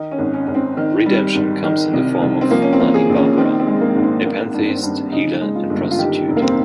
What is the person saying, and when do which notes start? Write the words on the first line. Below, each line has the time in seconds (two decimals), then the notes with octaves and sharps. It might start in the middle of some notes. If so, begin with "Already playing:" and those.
Redemption comes in the form of Honey Barbara - a pantheist, healer and prostitute.
Already playing: D#3 D#4
0.11 C#4
0.18 G#1
0.33 C#4
0.47 G#1 C#4
0.55 C4
0.77 D#3
1.06 G3
1.35 G#1
1.64 D#3
1.93 C2
2.22 C2
2.41 C4
2.51 F3 A#3
2.62 C#4
2.73 C4
2.80 A#3
2.94 G#4
3.09 A#1
3.16 C#4
3.38 D#3 C4
3.60 C4
3.67 G#3
3.81 A#3
3.96 G#1
4.03 C4
4.25 A#3
4.54 G2
4.68 C4
4.83 G2
5.12 C#3 D#4
5.41 G#3
5.55 F4
5.70 G1
5.91 F4
5.99 D#3 G4
6.28 F1
6.36 A#3
6.42 C4